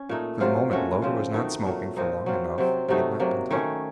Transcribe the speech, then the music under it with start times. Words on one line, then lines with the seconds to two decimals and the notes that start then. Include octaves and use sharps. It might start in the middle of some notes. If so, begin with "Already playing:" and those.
For the moment Loder was not smoking; for long enough he had not been talking.
Already playing: C#4
0.09 A#2 A3 D#4
0.40 C3 F#3 C4 F4
0.71 A#2 A3 C#4 F#4
1.02 C#3 F3 C4 F4
1.34 D#3 A3 D#4 F#4
1.65 A#2 F#3 A3
1.97 A#2 F3 C4 D#4
2.26 F#3 C4 F4
2.58 C3 F#3 C4
2.88 C3 F#3 A3 D#4
3.20 C3 F#3 A#3
3.51 D#3 A3 C#4